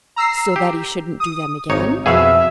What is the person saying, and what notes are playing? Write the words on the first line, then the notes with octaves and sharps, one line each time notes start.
"So that he shouldn't do them again?"
A#5 E6 C7
G4
D#6
G#1 D#4 C#5
F2 B2 F#4 G#4 E5 F5